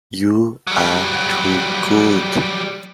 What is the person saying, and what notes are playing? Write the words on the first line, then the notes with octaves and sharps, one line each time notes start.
You are too good.
F#3 G3